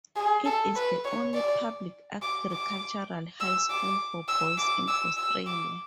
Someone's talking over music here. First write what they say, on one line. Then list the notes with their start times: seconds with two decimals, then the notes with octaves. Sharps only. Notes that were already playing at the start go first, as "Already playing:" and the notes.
It is the only public agricultural high school for boys in Australia.
0.16 G#4
0.45 A4
0.76 B4
1.05 C#5
1.34 D5
2.22 D6
2.51 D6
3.40 E6
3.70 D6
4.28 E6
4.58 D6
4.88 E6
5.17 E6
5.47 D6